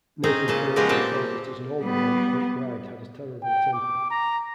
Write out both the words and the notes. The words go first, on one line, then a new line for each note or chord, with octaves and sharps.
Nathan Phillips recalled that as an alderman, McBride had a terrible temper.
C4 C#4 D#4 G#4 A#5
A#2 C#3 C#4 A5
F3 G#3 B3 C#4 G4 A#4
A#2 G3 C4 G5 A5
G3 B3
G5
D6
A#5